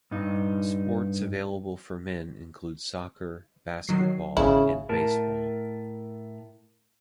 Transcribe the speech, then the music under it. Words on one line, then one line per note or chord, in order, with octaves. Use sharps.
Sports available for men include soccer, basketball, and baseball.
G2 D#4
D#3 F#3 C7
G#1 C#3 E4
A2 A#4 A5